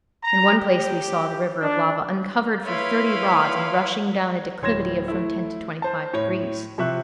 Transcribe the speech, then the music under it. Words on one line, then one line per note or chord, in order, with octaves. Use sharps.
In one place we saw the river of lava uncovered for thirty rods and rushing down a declivity of from ten to twenty-five degrees.
A#5
G4
D4
E4 B4 C#5 F5 B5 C6
D1 C#5 C6 G#6 A#6 E7
A3 E4
C5 A5
A2 C#5
C3 F3 E5 C#6 F#6